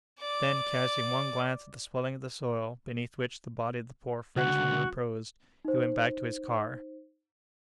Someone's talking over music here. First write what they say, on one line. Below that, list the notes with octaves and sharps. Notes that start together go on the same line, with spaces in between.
Then, casting one glance at the swelling of the soil, beneath which the body of the poor Frenchman reposed, he went back to his car.
D5 D6
C#2 D3 F#4
D#4 C5